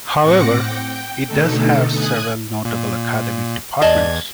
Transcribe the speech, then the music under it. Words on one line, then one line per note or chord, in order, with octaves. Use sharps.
However, it does have several notable academic departments.
A2 C4 F#5 D6 A#6 C#7
G5
B2 D3 A3 D#4 A4
G#5 D#6 F#6 G#6
A#2
E2 D5 D#5 A5 G#6